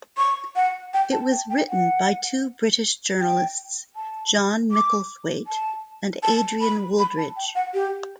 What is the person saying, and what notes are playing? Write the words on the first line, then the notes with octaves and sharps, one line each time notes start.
It was written by two British journalists, John Micklethwait and Adrian Wooldridge.
C#6
F#5
G5
A5
G5
G5
F#5
G5
A5
D6
A5
A5
B5
B5
A5
G5
F#5
G4